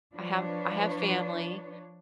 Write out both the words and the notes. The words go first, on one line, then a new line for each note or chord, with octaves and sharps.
I have I have family,
F3 D4 B4 C#5